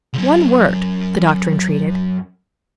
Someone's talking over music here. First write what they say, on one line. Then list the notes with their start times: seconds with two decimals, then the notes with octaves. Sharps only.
"One word," the Doctor entreated.
0.14 C#2 F#2